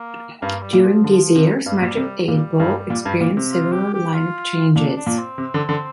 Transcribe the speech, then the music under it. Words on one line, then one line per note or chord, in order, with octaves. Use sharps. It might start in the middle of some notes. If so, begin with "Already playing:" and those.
During these years Magic Eight Ball experienced several lineup changes.
Already playing: A#3
G2 A#3
G3
A#2
F3
D3
C3
G2 G3
A#2
C3
A#2 G3
G2
A#2
G2
A#2
C3
F4
G4
G4
F4
A#2 D4
D4
A#2
C4
C3
D3
D3